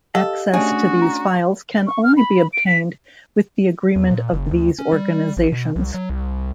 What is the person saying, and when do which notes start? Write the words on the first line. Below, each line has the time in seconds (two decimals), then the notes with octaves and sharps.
Access to these files can only be obtained with the agreement of these organisations.
0.15 G4 A4 D#5 F5
0.54 A3 C#4 D4 F#4 G#4
1.02 A#5
1.87 C#6
2.04 F6
2.17 B5
2.53 D7
2.67 B6
3.96 E2
4.11 A#2
4.33 F#1
4.51 D2
4.79 C#4
4.93 G3
5.37 A1
5.52 B2
5.76 C2
5.94 F#3
6.09 C2